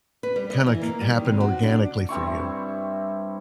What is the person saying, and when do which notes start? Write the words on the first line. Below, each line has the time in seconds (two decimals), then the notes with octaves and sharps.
kinda c happen organically for you?
0.23 B4
0.36 G3
0.50 D#5
0.66 E3
0.81 A#3
1.01 G3
1.13 D#3
1.25 C3
1.40 F#4
1.63 D4
2.09 G2 C4 E4 C#6